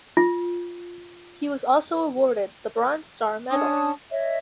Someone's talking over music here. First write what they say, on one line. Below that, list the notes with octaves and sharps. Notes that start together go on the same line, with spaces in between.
He was also awarded the Bronze Star Medal.
F4
C#4 D4 A5 D#6
C#5 D#5 E5